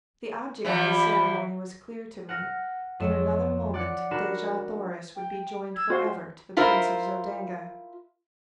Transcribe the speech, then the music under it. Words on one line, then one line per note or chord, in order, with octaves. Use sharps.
The object of the ceremony was clear to me; in another moment Dejah Thoris would be joined forever to the Prince of Zodanga.
E3 F3 G3
F#5 F6 A#6
F2 C#5 E7
D5 F#5 C#7
D4 F#4 A#4 B5 F#6 E7
G5
E6 G#6
F4 F#4 C5 F#5
E4 F4 A#4 C5